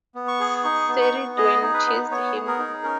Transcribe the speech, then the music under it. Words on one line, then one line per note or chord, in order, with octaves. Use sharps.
Ceridwen chased him.
B3
C#6
G#4
D#4 C#6
B3
C#6
B3
G#4 D#5
D#4
B4
B3
B3 C#5
G#4
A#4
D#4
C#4 A#4